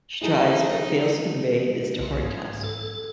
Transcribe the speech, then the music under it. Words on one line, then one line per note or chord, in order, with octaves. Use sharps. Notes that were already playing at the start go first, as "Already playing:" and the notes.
She tries but fails to convey this to Hardcastle.
D#2 F#3 D#4 E4 G#4 A4
C2
G#2
A4